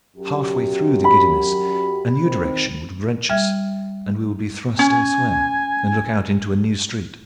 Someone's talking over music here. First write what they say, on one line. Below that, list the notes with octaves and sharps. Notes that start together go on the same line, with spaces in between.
Halfway through the giddiness, a new direction would wrench us and we would be thrust elsewhere, and look out into a new street.
F#2 G4
B5
D#3 C4
G3 E5 F6 G#6
C#4 G#5